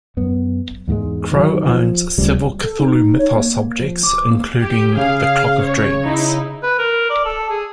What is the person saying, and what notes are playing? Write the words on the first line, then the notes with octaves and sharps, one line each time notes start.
Crow owns several Cthulhu Mythos objects, including the Clock of Dreams.
F#2 B3
E2 G#2 G3 G#3
D#3 F#3
F3
D2 C#3 F3 G3
A4
D#4
C#5
A#3
F3
D6
A#3
G4
C#3 G#4 F5
C#5
D#4 E4
B4
A#4
D5
A4
G#4